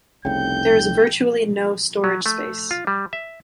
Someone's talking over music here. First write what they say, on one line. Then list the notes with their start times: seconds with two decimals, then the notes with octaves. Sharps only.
There is virtually no storage space.
0.25 F1 C2 C#3 G5 G6
2.04 F#3
2.26 A3
2.71 F4
2.87 G3
3.13 E5